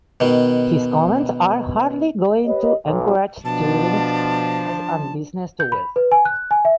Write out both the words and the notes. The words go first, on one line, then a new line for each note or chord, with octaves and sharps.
His comments are hardly going to encourage tourism and business to Wales.
B2 D#3
G4 B4 C#5 D#5
B1
B2 F3 D4 A5
G6
B5
B4
G#5
F#6
G#5
E5